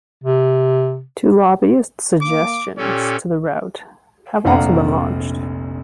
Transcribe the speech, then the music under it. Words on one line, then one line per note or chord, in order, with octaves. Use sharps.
Two lobbyist suggestions to the route have also been launched.
C3
A#3 D6
A#2 C#4 G4 A4 C#5
F1 A#1 D4 F5 F#5 A#5